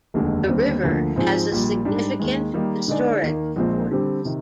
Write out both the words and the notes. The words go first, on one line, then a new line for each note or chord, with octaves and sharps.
The river has a significant historic importance.
F1 D#2 D3 G#3
D#2 D3 G3 C4
D2 D3 F3 A#3
G#2 F3 C4 F4 G#4
A#1 A#2 G3
G#2 G3 D4
D#2 D#3 G#3
D#3 G3 A#3 D#4
D3 G#3 D#4 G#4 D5
D#2 D#3 A#3
A#1 A#2 F3 G#3 C4
D3 G3 C4 G4
C3 D#3